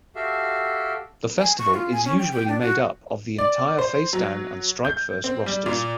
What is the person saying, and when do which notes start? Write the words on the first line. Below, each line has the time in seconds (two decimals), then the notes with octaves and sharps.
The festival is usually made up of the entire Facedown and Strike First rosters.
0.16 F#4 G4 A4 E5 F5
1.38 G#5
1.58 C#6
1.73 F4
1.92 G#5
2.05 C#4
2.19 G5
2.32 G5
2.48 D4
2.61 F#4
3.38 D5
3.79 C5
4.13 F#3
4.85 G6
5.24 C4
5.46 G3
5.66 A#2